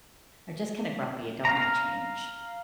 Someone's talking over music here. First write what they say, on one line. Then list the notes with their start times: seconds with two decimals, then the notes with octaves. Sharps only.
are just kinda grumpy and don't like change.
1.45 F5 A#5